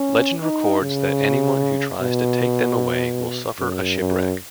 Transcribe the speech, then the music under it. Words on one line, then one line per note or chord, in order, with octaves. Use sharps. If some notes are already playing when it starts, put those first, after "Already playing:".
Legend records that anyone who tries to take them away will suffer a shipwreck.
Already playing: C#4
D#4
C#3
B2
F#2
F#2